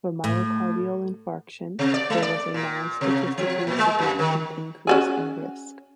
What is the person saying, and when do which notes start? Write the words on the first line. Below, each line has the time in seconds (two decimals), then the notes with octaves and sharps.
For myocardial infarction, there was a non-statistically significant increase in risk.
0.24 A2
1.79 C3
1.94 D5
2.10 G#3
2.22 D5
2.54 A#2
3.01 C3
3.38 F3
3.67 A#2
3.79 G#3
3.99 F#2
4.19 D#3
4.87 C#4 F#4 G#4